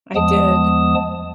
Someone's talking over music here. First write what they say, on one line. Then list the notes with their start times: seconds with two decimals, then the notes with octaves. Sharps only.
I did.
0.15 E2 F3 G#3 B3 A5 D#6